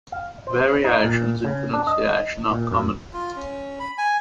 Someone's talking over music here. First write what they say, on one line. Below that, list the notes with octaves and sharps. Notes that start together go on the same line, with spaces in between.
Variations in pronunciation are common.
F5
C5
D#4
A#2
C#3
D4
D#5
A#2
F#2
F4
C#4
B5
G#5